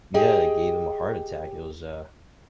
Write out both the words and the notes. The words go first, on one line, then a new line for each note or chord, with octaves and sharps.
yeah, it gave him a heart attack, it was, uh
G4 G#4 D#5 G5